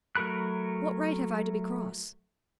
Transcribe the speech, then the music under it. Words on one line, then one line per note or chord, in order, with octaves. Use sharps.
"What right have I to be cross?"
F#3 A3 A#4 B5 F#6